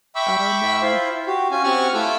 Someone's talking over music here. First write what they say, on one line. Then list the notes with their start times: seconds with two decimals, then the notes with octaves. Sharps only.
Oh, no.
0.15 E5 G5 B5 C#6 D6 E6
0.81 E4 F4 C5
1.27 F#4 G4
1.51 C#4 F4 F#4 G#5
1.64 C4 G4 F#5 G#5 C#6 F6
1.94 A3 E4 F4 A4 D6 E6